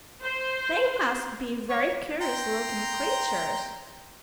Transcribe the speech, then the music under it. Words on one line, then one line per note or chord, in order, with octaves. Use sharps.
'They must be very curious looking creatures.'
C5
C#5
G5 A#5 C6